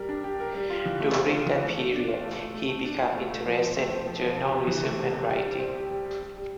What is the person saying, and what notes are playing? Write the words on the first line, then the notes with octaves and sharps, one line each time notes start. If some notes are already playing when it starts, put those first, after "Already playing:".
During that period he became interested in journalism and writing.
Already playing: G3 A#4
D4
G4
A#4
G3
F4
E3
A3
C4
F4
E3
A3
A3
D4
F4
A3
A3
A3
A3
D4
F4
A3
A3
F3
F3
A3
C4
F3
F3
C3
C3
E3
A3
C3
C3
G3
G3
C4
G4
G3
G3
G3
G3